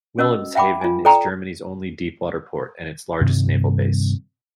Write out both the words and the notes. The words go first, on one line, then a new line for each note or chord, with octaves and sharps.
Wilhelmshaven is Germany's only deep-water port, and its largest naval base.
C#4 F#4 D#5 E6
E5 F#5 G5 B5 D6
F4 G#5
A4 D5 G5 A#5
G2 C3 D#3 G3